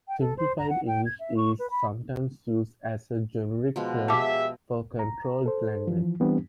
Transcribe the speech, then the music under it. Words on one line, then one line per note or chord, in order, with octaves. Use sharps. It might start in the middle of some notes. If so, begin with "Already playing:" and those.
"Simplified English" is sometimes used as a generic term for a controlled language.
G5
A4
C5
A#5
F#5
G5
G#6
E5
C#6
B4
B5
B2 F3 G#3
G4 G#4 E5 F5 A5 D6
A#5
A4 C5
E3 F3
E3 G3 B3 C4 D4 G4